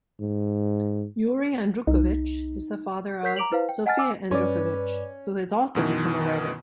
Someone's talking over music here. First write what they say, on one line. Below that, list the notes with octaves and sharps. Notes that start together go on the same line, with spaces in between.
Yuri Andrukhovych is the father of Sofia Andrukhovych, who has also become a writer.
G#2
C2 D#4
A#4 C#5 G6 B6 C7
A#5 D6 D7 F7 F#7
E4 B4 C5 F5
G5
D#5 F#5 G#5 A5 F6 A6
G#5 D6 E6
G2 C#4 B4 D5
F#2 B2 D#3 E3